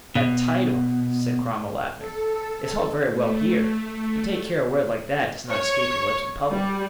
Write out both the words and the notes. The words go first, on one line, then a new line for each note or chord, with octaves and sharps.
"That title," said Cromwell, laughing, "is all very well here, but take care a word like that does not escape your lips in public."
B2
A4
A3
C#5
G3